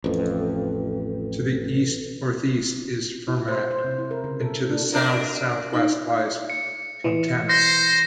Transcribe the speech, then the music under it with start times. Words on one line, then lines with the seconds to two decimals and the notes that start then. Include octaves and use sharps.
To the east-northeast is Fermat, and to the south-southwest lies Pontanus.
0.04 A1 F2 A4 B4
3.28 E4
3.48 C5
3.71 C5
3.84 C3
3.99 E4
4.11 A#4
4.24 C#3
4.40 A4
4.70 D4
4.92 A#3 D4 A#4
5.74 D#4
6.50 C#7
7.04 E3
7.50 C5 A#6